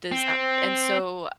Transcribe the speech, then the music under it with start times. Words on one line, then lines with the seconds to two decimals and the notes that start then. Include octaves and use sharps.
Does that and so
0.11 C4